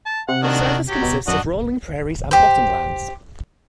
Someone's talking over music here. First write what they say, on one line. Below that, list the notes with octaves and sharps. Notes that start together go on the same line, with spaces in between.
The surface consists of rolling prairies and bottom lands.
A5
C3 F#5
D#3 D4 F#4
F#3 G4
B2
F#2 D4 F#4 D#5
G4 C5